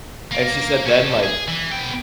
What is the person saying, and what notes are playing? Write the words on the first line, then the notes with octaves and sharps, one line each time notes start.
And she said then, like,
A#3
C#4 A4
G#4
E3
B3 G5